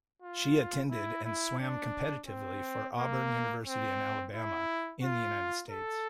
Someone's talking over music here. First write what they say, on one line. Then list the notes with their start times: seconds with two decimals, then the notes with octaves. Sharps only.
She attended and swam competitively for Auburn University in Alabama, in the United States.
0.22 F4
0.90 E4
1.25 E4
1.59 D4
2.28 C4
2.97 A#3
3.65 C4
4.34 E4
5.03 F4
5.70 A4